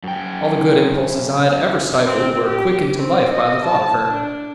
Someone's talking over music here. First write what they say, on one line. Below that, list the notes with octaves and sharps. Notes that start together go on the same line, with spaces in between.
All the good impulses I had ever stifled were quickened to life by the thought of her.
F#2 G5
C4
G4
C4
D#5
A5
D4